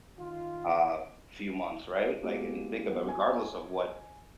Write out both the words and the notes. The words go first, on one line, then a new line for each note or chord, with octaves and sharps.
uh, few months, right? Like, and you think of regardless of what
D#3 F4
G#3 A#3 B3 F#4 G4
F#3 B3
G#5